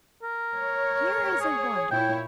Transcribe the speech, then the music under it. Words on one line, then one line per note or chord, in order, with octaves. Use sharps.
"Here is a wonder!"
A#4
C#5
G#4
A#2 E4 C#5 G5